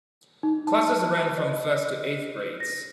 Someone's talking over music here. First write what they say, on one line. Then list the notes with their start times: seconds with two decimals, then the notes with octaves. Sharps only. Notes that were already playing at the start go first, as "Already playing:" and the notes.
Classes ran from first to eighth grades.
0.43 D#4
0.67 A5
1.38 D#5
2.60 A#6